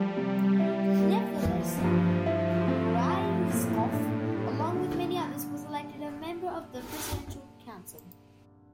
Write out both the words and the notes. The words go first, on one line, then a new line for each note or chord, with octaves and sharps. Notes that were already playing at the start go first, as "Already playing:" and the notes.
Nevertheless, Ryzhkov, along with many others, was elected a member of the Presidential Council.
Already playing: F3 G3 A3
C3
E4
A#3
E3 F3
G2
F3 E4
F3 C4
A2 F3
A#2
D4
G3
D3